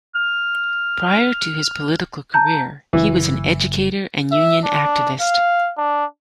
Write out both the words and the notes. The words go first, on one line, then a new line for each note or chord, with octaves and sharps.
Prior to his political career, he was an educator and union activist.
F6
A5 A#5 G6
F#1 E3
E5
D4
F5
D4